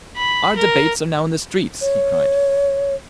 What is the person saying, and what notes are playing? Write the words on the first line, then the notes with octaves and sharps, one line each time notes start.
"Our debates are now in the streets," he cried.
B5
A#4
C#5